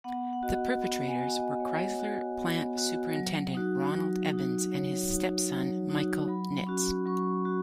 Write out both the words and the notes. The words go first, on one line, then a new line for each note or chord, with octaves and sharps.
The perpetrators were Chrysler plant superintendent Ronald Ebens and his stepson, Michael Nitz.
B3 F#5
F#5
F#4 D#5
B3 F#5
G#5
F#4
D#5
B3 C#5
F#4
B3
F#4
F#3
D#4 F#4
F#3
D#4 F#4
F#3 C#5
D#4 F#4
F#3
D#4 F#4
F#3 B5
C#4 F#4
F#3 C#6
F#4